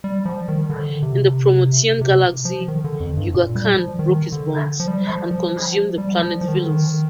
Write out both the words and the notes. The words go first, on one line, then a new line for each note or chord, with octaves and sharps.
In The Promethean Galaxy Yuga Khan broke his bonds, and consumed the planet Velos.
G3
F3
D#3
D3
C3
C3
F3
D#3
D3
F2
G2
A#2
G3
F3
D#3
D3
F3
G3
F3
F3
G3
F3
F3
D#3
D3
D#3